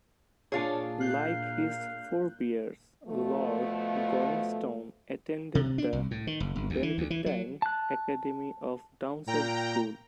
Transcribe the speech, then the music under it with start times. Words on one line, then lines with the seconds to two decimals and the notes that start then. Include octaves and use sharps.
Like his forebears, Lord Gormanston attended the Benedictine academy of Downside School.
0.52 A#2 A#3 D4 F4 G#4 C#5 F5 A5
1.00 F5 F#6 G6
3.07 B2 F3 A3
5.55 C3
5.78 D4
5.93 C2
6.11 A2
6.27 D#3
6.40 F#1
6.56 G1
6.70 D2
6.83 E3
6.98 D2
7.10 E3
7.26 F#3
7.62 A5 F#6
9.27 A#2 G5 A#5